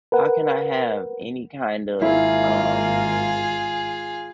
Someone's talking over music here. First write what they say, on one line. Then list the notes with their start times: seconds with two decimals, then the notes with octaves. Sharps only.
how can I have any kind of, um,
0.12 A#4 B4 F#5
2.02 G#1 A#3 E4 F4 G#4